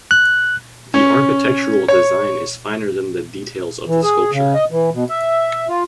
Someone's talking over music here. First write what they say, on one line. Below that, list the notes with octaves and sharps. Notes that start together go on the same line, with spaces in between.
The architectural design is finer than the details of the sculpture.
F#6
C#4
C#5
E3
G#4
C#3
D#5
E3
B2
E5
F4